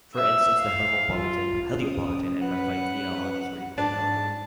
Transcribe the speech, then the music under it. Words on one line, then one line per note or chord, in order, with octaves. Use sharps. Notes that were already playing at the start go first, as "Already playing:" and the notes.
For instance, the Hermopolitan, Heliopolitan and Memphite theologies, were equally validated.
E5
F5
F4
C#4 D#6
B4 F#5
G#2 D4 A5